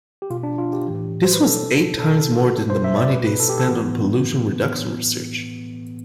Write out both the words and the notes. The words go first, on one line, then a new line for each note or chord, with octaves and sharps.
This was eight times more than the money they spent on pollution reduction research.
G4
B2 F4
D4
F4
G4
A2 E3
C5
B4
B2 A4
B2 A4
B2 A4
C5
E5
D5
B2 B4
B4
A4
G4
A4
A2 E3 B3